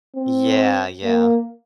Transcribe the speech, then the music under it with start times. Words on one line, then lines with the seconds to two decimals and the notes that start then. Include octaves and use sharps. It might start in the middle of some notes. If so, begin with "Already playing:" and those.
Yeah, yeah.
0.16 C4
1.04 A#3